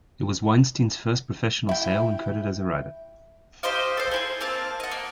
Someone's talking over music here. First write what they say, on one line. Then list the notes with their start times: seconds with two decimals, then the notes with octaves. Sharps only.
It was Weinstein's first professional sale and credit as a writer.
1.69 E4 G5
3.63 G4 C5 D#5 F5
3.97 A4 C5
4.11 C4 E4 G#4
4.41 A#3 C4 F5 A5
4.80 D#5 F#5
4.92 A#3